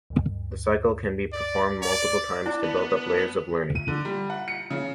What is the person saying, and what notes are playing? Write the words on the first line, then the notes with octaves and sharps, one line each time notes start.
The cycle can be performed multiple times to build up layers of learning.
D2 G2
D5
D5
D4 E4 A5
B3
D#7
D3
G3
F#5
C#7
C#3